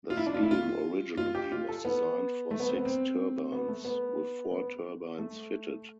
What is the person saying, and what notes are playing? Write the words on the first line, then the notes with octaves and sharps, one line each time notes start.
The scheme originally was designed for six turbines, with four turbines fitted.
F4
E4
D4
F4
E4
F4
F4
G4
F4
A4
B3
A3
B3
C4
B3
C4
B3
A3
B3
B3
A3